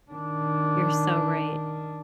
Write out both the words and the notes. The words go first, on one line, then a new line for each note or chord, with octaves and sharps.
You're so right,
D#3 D4